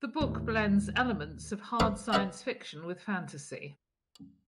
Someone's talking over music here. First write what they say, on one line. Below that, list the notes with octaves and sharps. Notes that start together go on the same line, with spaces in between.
The book blends elements of hard science fiction with fantasy.
D#2 A2
B4 C5 E5 F5 D6 D#6
B4 D#5 E5 F#5 A#5